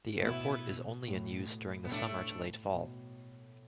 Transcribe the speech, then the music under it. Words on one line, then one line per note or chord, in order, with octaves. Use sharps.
The airport is only in use during the summer to late fall.
A2
B2 B3 E4
A2
B2 B3
A2 A3 D4
B2